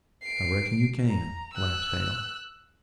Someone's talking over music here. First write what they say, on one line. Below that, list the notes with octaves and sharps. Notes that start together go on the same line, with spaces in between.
"I reckon you can," laughed Hale.
C7 D7
A#5
E6 F#6